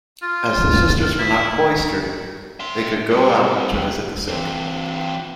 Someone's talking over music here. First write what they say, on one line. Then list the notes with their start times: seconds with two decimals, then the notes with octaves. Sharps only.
As the sisters were not cloistered, they could go out to visit the sick.
0.22 F4
1.19 E4
2.60 E5 C6
3.11 G3 C4
4.28 E3 C4